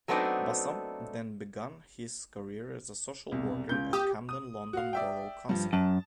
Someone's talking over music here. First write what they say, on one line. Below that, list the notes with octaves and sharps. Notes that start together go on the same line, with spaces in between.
Bassam then began his career as a social worker at Camden London Borough Council.
F#3 A3 B3 C4 D4 D#4
E1 C2
C#2 G6
G4 D#6
D#6
F#4 F5
D5 E5 G5
G2 F3
F#2 A5